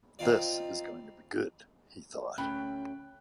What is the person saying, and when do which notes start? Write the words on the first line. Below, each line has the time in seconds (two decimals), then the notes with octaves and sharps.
"This is going to be good," he thought.
0.19 C4 D#4 F4 D5
2.38 D2 C#4 G5 B5 F#6